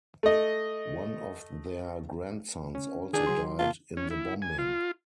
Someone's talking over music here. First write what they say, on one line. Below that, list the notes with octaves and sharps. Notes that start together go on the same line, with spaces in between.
One of their grandsons also died in the bombing.
A3 D#5
C#4
D#3 D4 G#4 A6
F#3 C6
C3 A#3 F4 A5
C#4
E4
G#5
F4